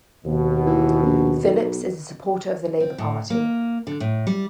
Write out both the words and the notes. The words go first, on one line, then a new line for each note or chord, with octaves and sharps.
Phillips is a supporter of the Labour Party.
D#2 B2
E3
A#1
B1
C4
A2
A#3
D3
A2
G3